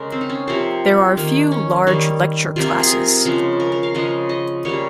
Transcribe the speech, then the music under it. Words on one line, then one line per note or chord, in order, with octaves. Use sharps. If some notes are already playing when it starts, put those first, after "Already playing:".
There are few large lecture classes.
Already playing: C#3 G#3 A#4
C4
D#4
C#4
C3 F3 A#3 C4
D#3 A#3
C#4
D#3 G3 A#3
C3 F3 A#3 F4
G4
G#4
A#4
C#3 F3 G#3
A#4
A#4
F5
C#3 F3 G#3 D#5
D#5
C#3 G3 A#3 C#5